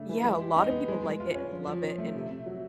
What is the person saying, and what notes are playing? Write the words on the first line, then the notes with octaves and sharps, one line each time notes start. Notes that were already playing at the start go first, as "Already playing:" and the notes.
Yeah, a lotta people like it and love it, and
Already playing: C#3 A3 D4
E3
G#3
G4
D#4
B3
G#3
G#3
F4
C#4
F3
F3
C#4
A3
C3
C3
F#3